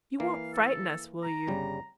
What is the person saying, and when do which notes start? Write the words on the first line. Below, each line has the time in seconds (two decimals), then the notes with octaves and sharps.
You won't frighten us, will you?
0.20 E3 A#3 F5
0.53 A4
1.23 A#5
1.47 G1 C#3 G3